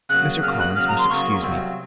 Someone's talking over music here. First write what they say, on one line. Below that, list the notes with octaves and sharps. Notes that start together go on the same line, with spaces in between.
Mr. Collins must excuse me.
C#3 F#3 A#3 F#6
C#3 F#3 A#3 F6
F#6
C#3 F#3 A#3 F6
A#5
C6
C#3 F#3 A#3 C#6
C2 C3 F#3 C4 F4